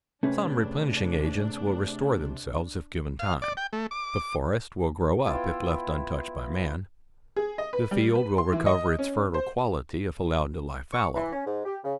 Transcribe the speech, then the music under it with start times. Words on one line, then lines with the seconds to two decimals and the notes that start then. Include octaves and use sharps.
Some replenishing agents will restore themselves if given time; the forest will grow up if left untouched by man; the field will recover its fertile quality if allowed to lie fallow.
0.23 C3 A3 C#4 D4 G#4 B4
3.19 F5
3.42 D5
3.57 G5
3.73 A3
3.91 D6
5.26 B3 E4 F4 G5
7.36 G#4
7.58 D#5
7.73 B4
7.91 G3
8.15 B4
8.38 C6
8.53 E3
8.66 D#5
8.99 C#4
9.34 C5
10.93 C#6
11.15 E3
11.33 C#4
11.47 G#2
11.65 G4
11.84 C#3